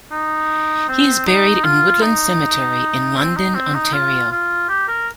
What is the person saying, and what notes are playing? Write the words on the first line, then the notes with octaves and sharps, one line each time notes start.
He is buried in Woodland Cemetery in London, Ontario.
D#4
C4
D#4
F4
D#4
C4
D#4
C4
D#4
F4
F4
G4
A#4